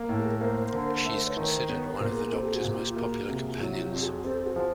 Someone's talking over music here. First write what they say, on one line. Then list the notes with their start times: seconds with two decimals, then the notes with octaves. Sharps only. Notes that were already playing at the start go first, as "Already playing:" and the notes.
She is considered one of the Doctor's most popular companions.
Already playing: A#3
0.09 A2
0.19 G#4 A#4
0.41 A#3 A#4 C5
0.73 D3
1.04 A3 A#4 C5
1.27 B4 C#5
1.37 D#3
1.47 A#4 C5
1.68 B3 B4 C#5
1.90 A#4 C5
2.00 A#2
2.11 G#4 A#4
2.33 C4 G4 A4
2.54 F#4 G#4
2.64 A#2
2.75 F4 G4
2.96 A#3 F#4 G#4
3.29 C3
3.51 F4
3.60 F#3 E4 F#4
3.81 F4 G4
3.92 F2
4.03 F#4 G#4
4.24 C4 G4 A4
4.46 F#4 G#4
4.56 F3